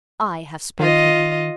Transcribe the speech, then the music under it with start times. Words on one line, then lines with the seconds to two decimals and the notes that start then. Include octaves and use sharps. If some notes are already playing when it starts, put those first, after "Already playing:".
I have spoken.'
0.79 D#3 F4 D#5